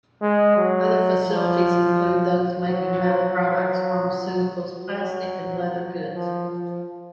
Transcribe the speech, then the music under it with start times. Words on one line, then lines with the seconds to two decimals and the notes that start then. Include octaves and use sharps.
Other facilities include those making metal products, pharmaceuticals, plastic and leather goods.
0.21 G#3
0.57 F#3
1.27 F3
2.67 F#3
4.75 F#3
6.15 F3
6.50 F3